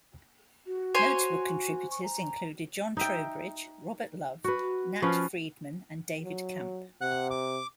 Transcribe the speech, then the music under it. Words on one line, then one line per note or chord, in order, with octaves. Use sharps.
Notable contributors included Jon Trowbridge, Robert Love, Nat Friedman and David Camp.
F#4
C5 C#5 G#5
C#6
A#5
D#4 E5 G5
F#4 B4
F3 C#4 F4 B4
F#3
C3 F#5 F#6
D6